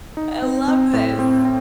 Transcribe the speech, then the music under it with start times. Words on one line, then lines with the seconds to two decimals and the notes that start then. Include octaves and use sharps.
I love this.
0.17 D#4
0.42 C4
0.68 C4
0.93 A2
1.19 C4
1.45 C4